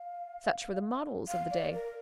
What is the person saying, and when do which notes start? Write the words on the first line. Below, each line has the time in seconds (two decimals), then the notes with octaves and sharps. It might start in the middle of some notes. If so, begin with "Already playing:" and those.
Such were the models of the day.
Already playing: F5
1.28 F5
1.51 D5
1.73 A#4